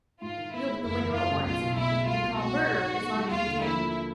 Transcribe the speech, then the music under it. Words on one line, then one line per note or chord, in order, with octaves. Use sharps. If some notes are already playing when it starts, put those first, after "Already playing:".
You open the window at once and call "Murder!" as loud as you can.
G#2 F4
D#3
B3 E4
G#3
F#1 E4
E2
E3 F4
C#3
B1 F4
B2
B1 E4
G#3
C2 F4
B2
C4 F#4
G#3
G#2
D#3
B3
G3
D#2 F4
D3
A#3 E4
F3